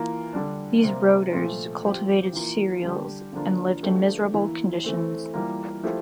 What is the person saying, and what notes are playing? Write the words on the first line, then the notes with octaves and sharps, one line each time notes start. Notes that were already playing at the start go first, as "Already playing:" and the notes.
These "roters" cultivated cereals, and lived in miserable conditions.
Already playing: E3 A#3 F4
D3 G3 D4
C3 G3 A#3
A#2 F3 A3
F3 C4 G4
E3 A#3 F4
D3 G3 D4 G4
D3 F3 A#3 D4 F4
F3 A3 D4 G4
E3 A#3 E4
E3 A3 C4
E3 G3 A#3 F4
F3 A3 E4 G4